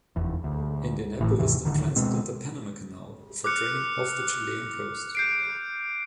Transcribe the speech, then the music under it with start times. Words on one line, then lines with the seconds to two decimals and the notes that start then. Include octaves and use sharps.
"Indianapolis" then transited the Panama Canal for training off the Chilean coast.
0.16 F1 E2
0.44 D2
1.19 G#1 A2 E3
1.39 D#2 G#2 C3 E3
1.65 D1 A#1 D3 D#3
1.96 B2 G#3 C4
3.44 D6 F6 F#6 C#7
5.15 G6 C7 D7